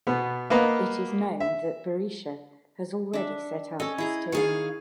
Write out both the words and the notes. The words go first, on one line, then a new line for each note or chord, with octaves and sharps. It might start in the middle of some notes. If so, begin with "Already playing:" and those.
It is known that Berisha has already setup his team.
B2 B3
A#3 B3 B4 D#5 F5 A#5
E5
D4 E5
C#4 A4 D#5
E4 G#4 D#5 A#5
D#3 G#4 C#5 F5 G#5 C#6